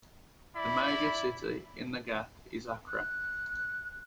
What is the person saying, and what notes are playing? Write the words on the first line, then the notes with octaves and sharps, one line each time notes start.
The major city in the Gap is Accra.
E4 D5 B5
F#6